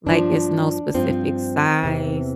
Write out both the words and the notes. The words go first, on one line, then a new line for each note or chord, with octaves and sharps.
Like, it's no specific size,
G2 F3 D4
G2 F3 C4
E2 C3 E3